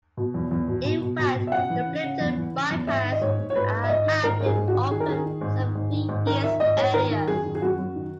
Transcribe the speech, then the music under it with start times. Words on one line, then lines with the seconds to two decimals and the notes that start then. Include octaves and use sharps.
In fact, the Plympton bypass had been open some three years earlier.
0.17 B2
0.34 E2
0.51 E2
0.68 B2
0.85 B2
1.02 B2
1.19 B2
1.36 B2
1.47 E5
1.52 C#3 F#5
1.70 E3
1.86 C#3
2.04 C#3
2.20 E2
2.37 E3
2.54 C#3
2.71 E2
2.87 G#2 E5
3.05 D#3
3.12 D#5
3.21 G#2 C#5
3.38 G#2
3.50 C#5
3.56 G#2 B4
3.72 G#2
3.84 E5
3.89 G#2 D#5
4.06 D#3
4.23 G#2 A#4
4.40 G#2
4.46 G#4
4.57 G#2
4.68 F#4
4.74 D#3
4.91 D#3 G#4
5.00 A#4
5.08 D#3 G#4
5.25 D#3
5.41 G#2
5.59 D#3
5.75 G#2
5.93 D#3
6.09 G#2
6.26 D#3 A#4
6.44 D#3 E5
6.60 G#2 D#5
6.77 G#2 C#5
6.94 D#3 A#4
7.11 D#3
7.28 F#2 G#4
7.45 D#3
7.55 G#4
7.62 F#2 F#4
7.78 F#2
7.96 D#3